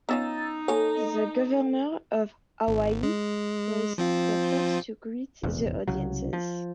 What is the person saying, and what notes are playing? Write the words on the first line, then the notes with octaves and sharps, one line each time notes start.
The governor of Hawaii was the first to greet the audiences.
B3 C#4 D#4 F4 A#5 E6 A6
A#3 A4 C#5 G#5
G#1
G#3
F3 C4 F4
F1 A#1 E2
C2 C#3 F#3
F3